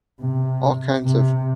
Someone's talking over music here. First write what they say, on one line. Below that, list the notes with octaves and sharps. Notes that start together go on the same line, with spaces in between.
all kinds of,
C3
C3